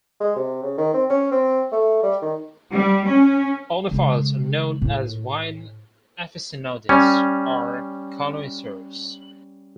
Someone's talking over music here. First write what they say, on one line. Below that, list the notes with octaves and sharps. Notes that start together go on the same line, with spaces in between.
Oenophiles are also known as "wine aficionados" or "connoisseurs".
G#3
C3
C#3
D#3
C4
C#4
C4
A3
G3
D#3
G3
C#4
C#3 G#3
A2
G3 C#4